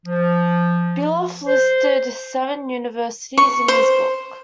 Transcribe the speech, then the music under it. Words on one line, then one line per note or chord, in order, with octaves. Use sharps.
Beloff listed seven universities in his book.
F3
C5
C#6
C5